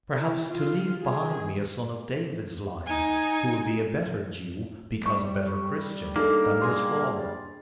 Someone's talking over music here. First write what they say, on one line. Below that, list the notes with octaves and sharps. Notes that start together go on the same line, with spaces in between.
Perhaps to leave behind me a son of David's line, who will be a better Jew, because a better Christian, than his father....
E4
F4
G#4
D#4 G#5
G3 C#6
A#3 D4 D#4 G#4 A4
G#4 C6 A#6
A6